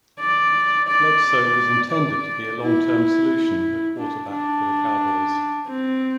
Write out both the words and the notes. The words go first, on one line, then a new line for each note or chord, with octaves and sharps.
Bledsoe was intended to be a long-term solution at quarterback for the Cowboys.
D5
D5
D5
E4
D4
D4
C4